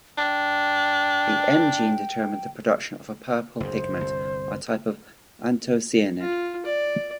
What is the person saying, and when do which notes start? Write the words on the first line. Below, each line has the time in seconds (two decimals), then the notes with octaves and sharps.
The M gene determined the production of a purple pigment, a type of antocianin.
0.18 D4 G5
3.60 F#1 D2 G#2 C5
3.97 G1 C2
6.21 F4
6.65 D5